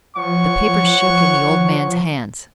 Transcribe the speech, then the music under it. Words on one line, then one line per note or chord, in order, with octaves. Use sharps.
The paper shook in the old man's hands.
F3 C#5 F#5 C#6